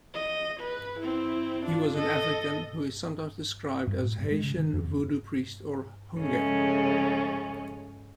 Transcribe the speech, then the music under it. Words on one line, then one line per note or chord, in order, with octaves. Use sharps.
He was an African who is sometimes described as Haitian vodou priest, or houngan.
D#5
B4
C4 E4
D4 F4
A4 D#5
G2
A2
G2
G#3
C#3
D#3
F2
C#3 F3 G#3 A3 C#4